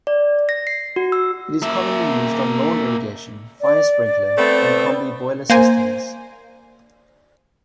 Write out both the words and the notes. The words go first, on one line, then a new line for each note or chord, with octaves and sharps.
It is commonly used on lawn irrigation, fire sprinkler and combi-boiler systems.
D5
A#6
C7
F#4
E6
A#3 E5
D5
A3 B3 C4
A#3 C5 G#5